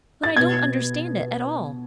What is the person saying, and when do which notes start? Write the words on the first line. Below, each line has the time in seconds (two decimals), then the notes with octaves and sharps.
But I don't understand it at all!
0.24 A6
0.37 B2 B3 G#6